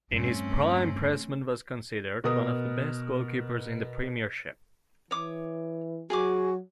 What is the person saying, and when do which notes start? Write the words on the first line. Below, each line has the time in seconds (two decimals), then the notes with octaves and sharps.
In his prime, Pressman was considered one of the best goalkeepers in the Premiership.
0.11 E2 G2 A3 C4 C#4
2.24 B2 A#4 D#6
5.11 E3 C#5 D6 D#6
6.10 F#3 F#4 G#4 G#5 D6